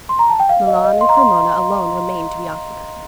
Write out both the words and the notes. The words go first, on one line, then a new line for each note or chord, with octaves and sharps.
Milan and Cremona alone remained to be occupied.
C6
A#5
A5
G5
F5
D#5
D#5
C6
A#5
C6